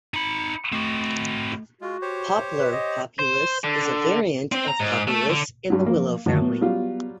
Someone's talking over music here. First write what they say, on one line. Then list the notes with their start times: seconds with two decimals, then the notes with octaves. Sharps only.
Poplar populus is a variant of Populus in the willow family.
0.14 D#4 B5 C#7
0.73 A3 C4 F#4
1.81 G#3 F4 F#4
2.02 G4 C5 C#5
2.59 B4
2.72 D#5
3.19 C5
3.64 D3
4.52 C4
4.68 A#5
4.80 G#2
5.08 A3
5.30 D3
5.70 G2 F#3
5.86 F3 A#3
6.26 F#2 A2 D3 D#3 F#3
6.42 B3
6.61 F#3 G3 F4